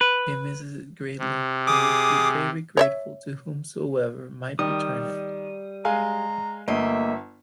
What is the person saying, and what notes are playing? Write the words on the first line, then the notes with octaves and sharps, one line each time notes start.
He misses it greatly and would be very grateful to whomsoever might return it.
B4
C3
G#4 D6 D#6
C#5 D5 E5
D#3 G3 D#6
G#3 F5 G#5 A#5
G1 A3 A#3 D#5 E5